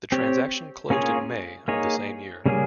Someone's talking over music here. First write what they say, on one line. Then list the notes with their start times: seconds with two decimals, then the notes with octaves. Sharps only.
The transaction closed in May of the same year.
0.12 C4 G4 C#5
0.90 A#3 C#4 F4 G#4 C#5
1.68 A#3 D#4 G#4 C#5
2.46 C#3 G3 A#3 C#4 G#4